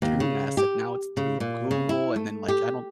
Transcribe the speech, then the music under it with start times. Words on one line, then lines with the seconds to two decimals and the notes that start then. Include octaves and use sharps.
through Nest, eh, now it's through Google, and then, like, I don't
0.02 D#2
0.20 C#3
0.57 G4
1.17 C#3
1.40 A#2
1.71 C#3
1.89 E4
2.16 A3
2.48 G4